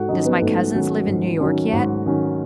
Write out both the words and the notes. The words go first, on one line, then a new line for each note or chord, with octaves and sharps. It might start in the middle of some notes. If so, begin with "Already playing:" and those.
Does my cousins live in New York yet?
Already playing: G#2 F#4 A4 F#5
D#3 F#3 C#4 D#4 D#5
B3 B4
G#2 A3 A4
D#3 F#3 C#4
G#2
D#3 F#3 C#4
G#2 F#4
D#3 F#3 C#4